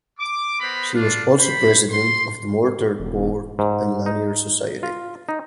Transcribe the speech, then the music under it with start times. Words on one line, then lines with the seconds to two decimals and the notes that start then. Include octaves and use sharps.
She was also president of the Mortar Board and Lanier Society.
0.19 D6
0.60 B3 A#4 C5 A#5 B5
0.94 D4 F4
1.39 C5 B5
1.89 C6
3.00 E1
3.59 G#2
4.06 D#4
4.83 F4
5.29 D#4